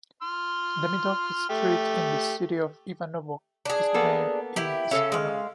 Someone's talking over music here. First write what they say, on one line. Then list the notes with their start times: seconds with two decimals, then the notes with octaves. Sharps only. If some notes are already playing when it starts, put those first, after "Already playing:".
Demidov Street in the city of Ivanovo is named in his honor.
0.22 C6 F6
1.49 A3 G4
3.65 D4 G#4
3.94 A#3 B3 A4
4.56 E4 G4
4.91 C#3 C#4 A4 E5
5.12 G#3 F5